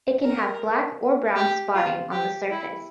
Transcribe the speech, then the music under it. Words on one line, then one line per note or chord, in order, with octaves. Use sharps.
It can have black or brown spotting on the surface.
A#4
G4
F4
G4
E4